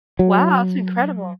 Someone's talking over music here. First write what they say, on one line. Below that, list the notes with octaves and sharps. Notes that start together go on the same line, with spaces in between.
Wow, that's incredible.
F#3